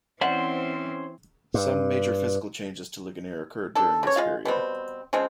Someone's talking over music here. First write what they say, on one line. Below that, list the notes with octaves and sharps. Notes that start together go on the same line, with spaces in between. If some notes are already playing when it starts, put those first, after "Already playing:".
Some major physical changes to Ligonier occurred during this period.
E3 C4 C#4 C5 D5 E5 F#5
G2
D4 A4
C#3 C#5
G#3 F4 F5
B2 G3 C4
C#3 F3 G#3 C4